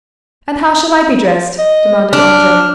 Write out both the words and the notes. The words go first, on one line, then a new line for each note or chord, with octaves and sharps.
"And how shall I be dressed?" demanded Andrea.
D#5
D4 F6